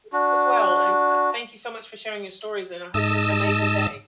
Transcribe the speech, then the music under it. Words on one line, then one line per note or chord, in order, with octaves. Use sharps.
You as well, and, uh, thank you so much for sharing your stories, and I hope you have an amazing day.
D4 F#4
G#2 D#5 A5 E6